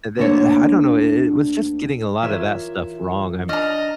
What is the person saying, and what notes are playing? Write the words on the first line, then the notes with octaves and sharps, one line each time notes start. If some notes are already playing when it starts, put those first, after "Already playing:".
and then uh, I don't know, it it was just getting a lot of that stuff wrong, um,
D2 D3 A#3 C5 C#5
E3 F4 A#4 C#5 E5
D4 D#5 A#5 F6